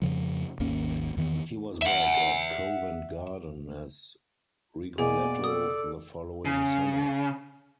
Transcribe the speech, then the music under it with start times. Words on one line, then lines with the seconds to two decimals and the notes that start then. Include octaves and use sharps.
He was back at Covent Garden as Rigoletto the following summer.
0.02 F2 C#3 F3
0.60 G#1 D#2 A#3 C#4
1.17 E2 D#3 B3
1.82 E5 F#5
4.98 B2 A#3 G#4 D5 G#5
5.44 A4 D#6
6.45 C#3